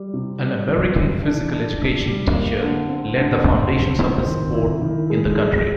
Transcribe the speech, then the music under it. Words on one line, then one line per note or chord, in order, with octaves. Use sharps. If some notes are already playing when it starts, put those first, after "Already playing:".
An American physical education teacher laid the foundations of the sport in the country.
Already playing: G3
C3
G3
G3
E3
D4
D4
D4
G3
A#3
D3
C4
D3
C4
D3
C4
D#3
E4
D#3
G#3
G#3